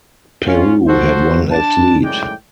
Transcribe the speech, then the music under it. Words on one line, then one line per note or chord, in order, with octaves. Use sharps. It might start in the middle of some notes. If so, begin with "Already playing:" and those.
Peru had one athlete.
C#4 F4
F3 F#3 F#4 A4 C5
D4 A5
F#2 A2 D#3 G#3 D5 G5